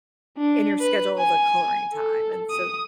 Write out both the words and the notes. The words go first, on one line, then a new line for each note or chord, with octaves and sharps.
in your schedule the coloring time, and so,
D4
B4
G#5
A4
D#6